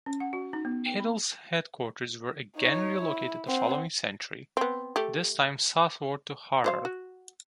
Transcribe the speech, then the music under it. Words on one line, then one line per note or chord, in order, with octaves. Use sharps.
Adal's headquarters were again relocated the following century, this time southward to Harar.
C#4
F#5
F#4
D#4
B3
G5
B5
D#4 C#5
E4
C4 F#5
B3 C4
A3 G4
F#3 C5 F5
F#4